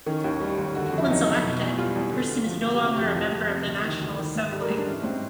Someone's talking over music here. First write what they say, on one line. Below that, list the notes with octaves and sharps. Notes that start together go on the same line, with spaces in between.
Once elected, a person is no longer a member of the national assembly.
D#3 C#4
D#2
G3
D#2
D3 F#4
F#4
F2
E4
F#3 D#4
F2 D#4
B2
E2
G3 F4
E2
D3
D2
F3
D2
G4
C3 F#4
F2 G4
F3 G#4
F2
C3
D2
D#3
D2
D#3
G#2
G3 A4
A#4
G#2 G#4
D4
E3 C#4
G#2 C4